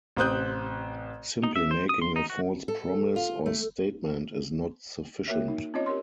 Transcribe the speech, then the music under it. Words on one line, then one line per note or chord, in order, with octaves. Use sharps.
Simply making a false promise or statement is not sufficient.
A1 C3 C4 D#6 F#6 G6
D#4
E5
C5
D#6
C6
D#4
F#4
A4
F4
A3
A#3 F#4 A#4 C#5 E5
D#4
C4 C#4 F4 C#5 D#5
G4 A#4 C#5 C6